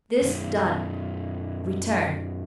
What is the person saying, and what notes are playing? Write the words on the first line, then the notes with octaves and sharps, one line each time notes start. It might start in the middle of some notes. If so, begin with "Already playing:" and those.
This done, return.
F#2 D#3